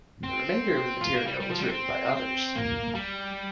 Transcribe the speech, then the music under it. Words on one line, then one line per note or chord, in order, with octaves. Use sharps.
The remainder of the material was written by others.
C4
F4
A#3
G3
G3
F3
G3
C4
C4
A#3
G3